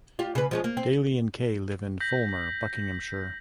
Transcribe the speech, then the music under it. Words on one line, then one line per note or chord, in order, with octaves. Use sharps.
Daly and Kay live in Fulmer, Buckinghamshire.
F4 G4
C#3 B4
F3 G#3 C#4
A#3
C4
G6 A#6 B6 F#7